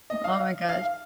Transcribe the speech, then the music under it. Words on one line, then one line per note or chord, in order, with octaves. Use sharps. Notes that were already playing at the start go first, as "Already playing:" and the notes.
oh my gosh.
D#5
F5
F5